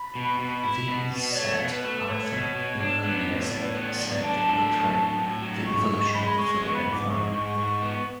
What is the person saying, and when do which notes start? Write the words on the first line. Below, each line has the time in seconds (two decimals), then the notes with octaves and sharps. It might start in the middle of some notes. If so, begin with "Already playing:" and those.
These set are often erroneously said to portray the "Evolution of the Philippine Flag".
Already playing: B5
0.15 B2
0.39 B2
0.63 E4
0.88 B2
1.12 B2
1.31 D5
1.35 A3 C#5
1.59 B2
1.71 B4
1.83 A3
2.07 A3 C#5
2.15 B4
2.23 C#5
2.32 B2
2.55 B2
2.80 D4
3.03 B3
3.27 A2 B4
3.40 C#5
3.51 A2 D5
3.63 B4
3.69 C#5
3.74 B3
3.87 D5
3.98 F#3
4.05 D5
4.23 D4 A5
4.46 A2
4.70 F#3
4.94 A2
5.19 A2
5.42 F#3
5.66 G#2 C#6
5.90 G#2 C#6
6.14 G#3 B5
6.38 G#3 C#6
6.56 C#6
6.61 B3
6.74 B5
6.86 G#2
6.92 D6
7.10 G#2 C#6
7.34 G#2
7.57 G#2
7.82 B3